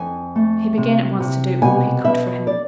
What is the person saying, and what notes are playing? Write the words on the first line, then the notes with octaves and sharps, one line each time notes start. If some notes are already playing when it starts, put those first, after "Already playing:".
He began at once to do all he could for him.
Already playing: F2 G#5
A3
C3
C3
B2 G#5
B2 E5
D5